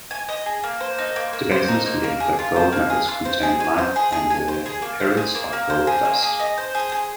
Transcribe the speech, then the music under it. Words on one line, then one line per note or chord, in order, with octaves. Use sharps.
Tibetans believed that gold nuggets contained life and were the parents of gold dust.
G#5
D#5
G#4
A#3
C5
D#4
A#3
A#3
C5
D#4
A#3
A#3
G#4
F4
C5
A#3
G#4
F4
C5
G#4
G#5
C5
G#4
G#4
G#5
C5
G#4
A#3
C5
G#4
A#3
A#3
C5
G#4
A#3
G#4
D#5
C5
G#4
G#4